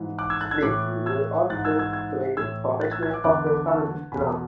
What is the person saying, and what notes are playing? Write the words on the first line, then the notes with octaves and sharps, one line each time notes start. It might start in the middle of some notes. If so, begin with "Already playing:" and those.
Smith would often play professional poker tournaments drunk.
Already playing: G#2 E3
D6 F#6
E6 G#6
F#6 A6
E6 G#6
A2 E3 D6 F#6
E6 G#6
G#2 E3 F#6 A6
E6 G#6
E6 G#6
E6 G#6
A2 E3 E6 G#6
F#6 A6
E6 G#6
E6 G#6
D6 F#6
E2 D3 D6 F#6
B5 D6
A5 C#6
E2 B2 G#5 B5